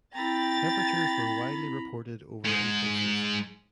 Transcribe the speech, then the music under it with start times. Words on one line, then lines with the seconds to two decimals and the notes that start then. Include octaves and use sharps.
Temperatures were widely reported over in places.
0.15 C4 E4 G5 A#5 B5 A6
2.45 G#2 G#3